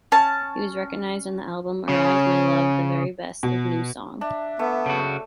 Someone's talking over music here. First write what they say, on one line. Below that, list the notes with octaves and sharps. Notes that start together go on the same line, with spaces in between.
He was recognized on the album "Arise, My Love, The Very Best of NewSong".
C#4 A5
C#3 C#4
B2
D4 E5
A3 B3
C#3 F#4